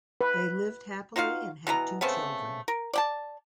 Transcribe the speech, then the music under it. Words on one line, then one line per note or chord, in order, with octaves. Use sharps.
They lived happily and had two children.
B4
D#4 F4 F#4 F5
B2 E3 B3 A#5
C#3 A3 B3 C4
A#4
D5 G5 A5